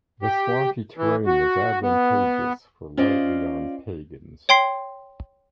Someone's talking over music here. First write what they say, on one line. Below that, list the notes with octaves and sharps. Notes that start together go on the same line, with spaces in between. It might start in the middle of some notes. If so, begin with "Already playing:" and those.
The swampy terrain was advantageous for lightly armed pagans.
G4
E3
F#4
B3
C#4 F4 C5 D5 D#5 F5
C#5 G5 C6 C7